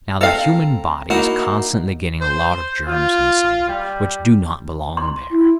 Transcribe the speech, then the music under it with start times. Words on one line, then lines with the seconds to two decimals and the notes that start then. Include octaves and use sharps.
Now, the human body is constantly getting a lot of germs inside of it which do not belong there.
0.21 C4 A4 F5 A#5
1.10 A#3 D#4 E4 F#4
2.21 C5
2.88 F4
3.68 G3
4.97 C6
5.30 E4